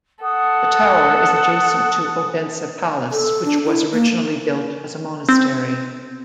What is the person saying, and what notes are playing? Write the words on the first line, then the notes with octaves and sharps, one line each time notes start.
The tower is adjacent to Odense Palace which was originally built as a monastery.
A4 F#5 D#6
A4
D4
E4
A#3
C4